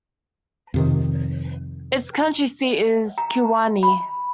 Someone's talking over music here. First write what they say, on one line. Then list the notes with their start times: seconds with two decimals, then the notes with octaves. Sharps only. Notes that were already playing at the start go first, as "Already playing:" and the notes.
Its county seat is Kewaunee.
0.74 F2 C3 D#3
3.18 A#5
3.83 B5